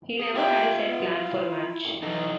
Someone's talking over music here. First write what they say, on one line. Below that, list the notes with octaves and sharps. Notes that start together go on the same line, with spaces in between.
He never had a set plan for a match.
G#4
F4 G4 E5
B3
E4
E3 D#4 A4